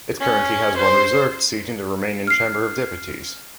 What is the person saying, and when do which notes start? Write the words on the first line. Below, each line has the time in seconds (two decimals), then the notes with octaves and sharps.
It currently has one reserved seat in the Romanian Chamber of Deputies.
0.21 C#4
0.77 C5
2.27 F6 C7